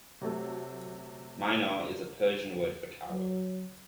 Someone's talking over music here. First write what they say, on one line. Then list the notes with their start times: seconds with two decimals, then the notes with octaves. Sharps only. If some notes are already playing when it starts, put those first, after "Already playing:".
Minar is a Persian word for tower.
0.21 C3 F#3 A3
3.09 F#3